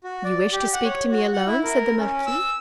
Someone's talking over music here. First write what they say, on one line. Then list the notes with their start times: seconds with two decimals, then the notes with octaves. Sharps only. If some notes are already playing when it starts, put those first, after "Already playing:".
"You wish to speak to me alone?" said the marquis.
0.04 F#4
0.24 D5
0.52 G4
0.73 F#5
0.85 C#5
1.12 F#4
1.33 F#5
1.47 E4
1.63 A#4
1.99 C#4
2.26 E6